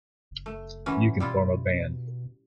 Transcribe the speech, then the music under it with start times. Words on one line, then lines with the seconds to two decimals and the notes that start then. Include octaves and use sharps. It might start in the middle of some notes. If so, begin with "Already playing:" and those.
You can form a band.
0.31 F#1
0.46 A3
0.86 E3 F#3 C#4
1.20 B2 G3 E4 F4